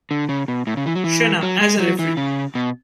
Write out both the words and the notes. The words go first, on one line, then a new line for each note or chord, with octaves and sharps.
Shena as a referee.
D3
C#3
B2
A2
C#3
E3
F#3
E3
F#3
G#3
F#3
E3
C#3
B2